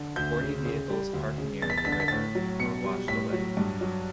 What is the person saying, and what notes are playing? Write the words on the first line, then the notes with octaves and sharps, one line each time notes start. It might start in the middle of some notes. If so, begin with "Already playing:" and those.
Forty vehicles parked near the river were washed away.
Already playing: D3
D2 G6
C#3
C#3
G3
D2
C#3
E2 A6
B6
A6
D3 B6
A6
B6
A2 A6
F#3
B2 C#7
G3
A2 B6
F#3
G2
F#3